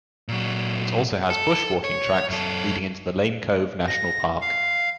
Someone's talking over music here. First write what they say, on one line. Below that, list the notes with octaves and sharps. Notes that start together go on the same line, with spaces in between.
It also has bushwalking tracks leading into the Lane Cove National Park.
A#2 F#3
A4
C#5
F#2 A4
A#6
F5